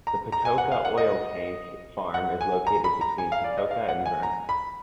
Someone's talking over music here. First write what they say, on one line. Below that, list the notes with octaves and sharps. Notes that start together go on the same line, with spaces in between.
The Patoka oil tank farm is located between Patoka and Vernon.
A#5
A#5
G#5
F#5
F5
F#5
D#5
F#5
G#5
A#5
B5
A#5
G#5
F5
D5
D#5
F5
F#5
G#5
A#5
B5